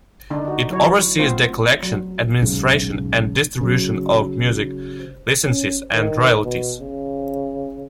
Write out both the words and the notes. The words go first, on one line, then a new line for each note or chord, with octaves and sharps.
It oversees the collection, administration and distribution of music licenses and royalties.
D3 D4 D#4
D#4 F#4
F#3 E4 C#5
A3 B3 C4 F4 C5
F#3
B1 G#2 C#3
C#3 F#3
C#4
D#3
B2
C#3